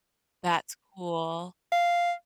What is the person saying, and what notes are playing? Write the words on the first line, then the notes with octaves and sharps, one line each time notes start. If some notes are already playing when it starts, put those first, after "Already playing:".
That's cool.
F5